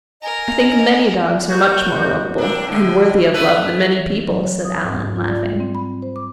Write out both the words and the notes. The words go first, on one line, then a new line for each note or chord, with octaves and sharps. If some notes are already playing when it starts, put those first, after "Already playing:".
"I think many dogs are much more lovable--and worthy of love--than many people," said Alan, laughing.
A#4 D#5 G#5
G3 A#3 F#4 G6
A#3 C4 D4
A2 D3
A3 A4 B4
E3
F#3
C#5
D#6
G#2
F4
D5
G3
C4
B5
C5
D6